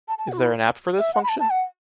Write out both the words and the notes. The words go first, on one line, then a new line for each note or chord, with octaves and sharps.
Is there an app for this function?
A5
A5
F#5
F#4
E4
E5
F#5
B5
A5
A5
F#5